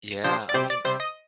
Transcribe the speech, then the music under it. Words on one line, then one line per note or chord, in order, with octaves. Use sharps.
Yeah, I mean,
F3 A#3 D4 G4 C5
D5
C3 G3 C4 G4 C5
D5
C3 G3 C4 C5
D#5